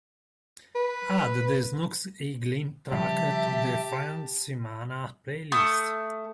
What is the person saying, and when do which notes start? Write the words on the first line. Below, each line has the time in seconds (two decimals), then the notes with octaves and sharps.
Add the snooks eaglin track to the friendesemana playlist.
0.75 B4
2.92 C#3 F3 G3 G4 E5 A5
5.52 A3 A5 D#6